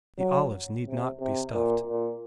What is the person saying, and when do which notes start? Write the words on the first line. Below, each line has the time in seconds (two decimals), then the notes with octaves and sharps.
The olives need not be stuffed.
0.19 F#3
0.86 C3
1.20 C3
1.54 A#2
1.87 A#2